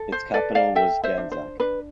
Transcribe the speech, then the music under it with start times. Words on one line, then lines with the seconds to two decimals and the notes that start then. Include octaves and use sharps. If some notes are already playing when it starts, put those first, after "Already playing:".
Its capital was Ganzak.
Already playing: A4
0.12 C5
0.34 A4 B4 D5
0.55 D5 F5
0.75 A4 E5 G5
1.04 C5 E5
1.18 D4
1.32 C5
1.60 D4 B4